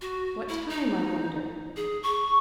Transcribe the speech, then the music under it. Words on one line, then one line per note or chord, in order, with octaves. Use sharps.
What time, I wonder.
F#4
E4
D#4
G#4
C#6